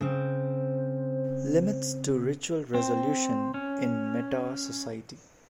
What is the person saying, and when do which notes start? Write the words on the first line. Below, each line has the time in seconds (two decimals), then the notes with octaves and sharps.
Limits to Ritual Resolution in Meta' Society.
0.01 C#3 C4 C5
2.74 C4
3.54 C#4